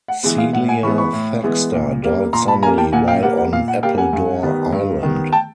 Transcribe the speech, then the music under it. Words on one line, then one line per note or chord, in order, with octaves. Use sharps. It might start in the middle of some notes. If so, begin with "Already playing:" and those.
Celia Thaxter died suddenly while on Appledore Island.
F#5
E3 G#3 B3
F5
A2 F#5
F#5 G#5
E3 G#3 B3 B5 C#6
B5 C#6
A2
E3 G#3 B3
A#2
G3 A#3
A#2 A#5 C6
A5 B5
G3 A#3 G#5 A#5
G5 A5
A#2 F#5 G#5
F5 G5
G3 A#3 F#5
F#5
A#2 F5
F#5
G3 A#3 F5 G5
F#5 G#5
G2
D#3 G3 B3
G2
D#3 G3 B3
G5 A5